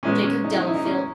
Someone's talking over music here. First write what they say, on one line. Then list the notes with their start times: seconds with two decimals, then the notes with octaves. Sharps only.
Jacob Delafield?
0.03 A#2 G#3 B3 C#4
0.23 C#4
0.44 D#4
0.51 E4
0.59 D#4
0.67 E4
0.75 D#4
0.85 C#4 E4